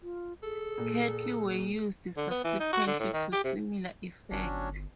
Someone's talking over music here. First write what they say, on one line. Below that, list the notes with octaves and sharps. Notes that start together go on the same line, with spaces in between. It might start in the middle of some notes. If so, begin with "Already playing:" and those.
Cattle were used subsequently to similar effect.
F4
G#4 A4
A#2
D3
B3
E3
D#4
F#4
D3
A2
D#3
G4
C3
G1 F#3 C#4 D4